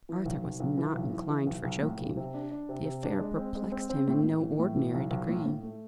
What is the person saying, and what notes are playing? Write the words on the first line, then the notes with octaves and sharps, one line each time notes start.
Arthur was not inclined for joking; the affair perplexed him in no ordinary degree.
E3
B1
B1
B1
E3
B1
E3
E3
B1
B1
A2
B1
C3
D4
D4
C3
C3
D4
G#3
C4
G#3
C4
C4
A2
A2
E3
A2
E3
B1
B1
A2
A2
A3